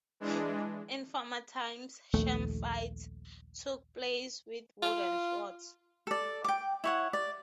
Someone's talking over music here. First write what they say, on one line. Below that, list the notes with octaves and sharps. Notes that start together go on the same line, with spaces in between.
In former times, sham fights took place with wooden swords.
E3 G#3 D4
A#1 D#2 A3
F4
A4 D5
G5 D6
E4 C#5 F#5
D5